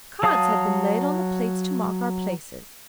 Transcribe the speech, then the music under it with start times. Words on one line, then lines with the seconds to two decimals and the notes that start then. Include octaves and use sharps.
Cards had been laid on the plates to mark our places.
0.23 F#3 F5 A5 D#6